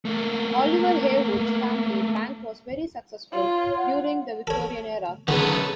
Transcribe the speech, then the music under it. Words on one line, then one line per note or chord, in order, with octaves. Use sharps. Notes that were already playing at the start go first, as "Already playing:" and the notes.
Oliver Heywood's family bank was very successful during the Victorian era.
A3 A#3
F4 C#5
F#5
A4 C#5
D3 D#3 F#3 B3 C#4 G#4 A4 B4